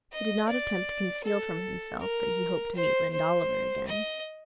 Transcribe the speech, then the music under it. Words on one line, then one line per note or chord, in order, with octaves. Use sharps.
He did not attempt to conceal from himself that he hoped to meet Lynde Oliver again.
D#5
D5
A4
A#4
C5
C5
D#5